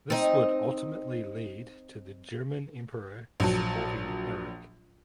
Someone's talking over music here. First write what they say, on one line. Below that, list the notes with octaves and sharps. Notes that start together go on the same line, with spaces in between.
This would ultimately lead to the German emperor supporting Eric.
C4 D#4
A#1 F#3 A5